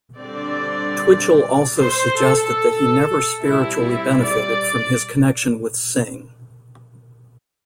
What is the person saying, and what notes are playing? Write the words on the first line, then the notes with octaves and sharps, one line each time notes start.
Twitchell also suggested that he never spiritually benefited from his connection with Singh.
D3 G3 C4 D5
C5
A4
G3 C4 E4
E4
D5